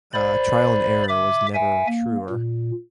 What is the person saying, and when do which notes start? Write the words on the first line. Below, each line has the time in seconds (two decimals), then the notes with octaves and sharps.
uh, trial and error was never truer
0.14 C5 D5 B5
1.09 E5 D6
1.55 E5 G#5
1.87 A#3
2.30 A#2